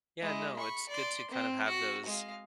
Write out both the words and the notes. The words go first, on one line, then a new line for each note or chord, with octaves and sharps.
Yeah. No. It's good to kinda have those
G#3 E4
B5 C#6
D5 C6
C4
F#4
G#3 F5